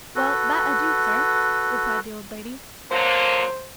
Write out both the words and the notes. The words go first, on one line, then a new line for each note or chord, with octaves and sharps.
'Well, that I do, sir,' replied the old lady.
F#4 A4 B4
D3 F#3 A#3 C5